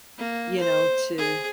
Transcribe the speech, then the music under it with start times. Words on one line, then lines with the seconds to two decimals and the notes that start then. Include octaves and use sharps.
you know, to
0.18 A#3
0.60 C5
1.18 G#4